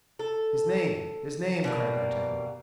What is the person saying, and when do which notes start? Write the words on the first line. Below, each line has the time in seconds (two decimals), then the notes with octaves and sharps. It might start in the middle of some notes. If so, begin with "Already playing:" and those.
"His name; his name!" cried d'Artagnan.
0.19 A4
1.64 B2 G3 A#3